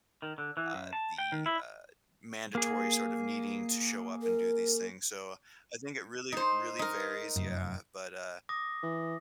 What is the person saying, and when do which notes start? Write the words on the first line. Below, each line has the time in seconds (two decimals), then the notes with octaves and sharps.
Uh, the, uh, mandatory sort of needing to show up and do these things. So, I think it really, really varies, yeah, but uh
0.22 D#3
0.38 D3
0.57 E3
0.74 F#2
0.93 A5
1.18 G5
1.32 D#3
1.46 E4
2.55 A#3 G#4
4.22 A#4
6.32 D#4 C5
6.79 D#4 A#4
7.36 F1 F#2
8.49 D6 D#6 A#6
8.83 E3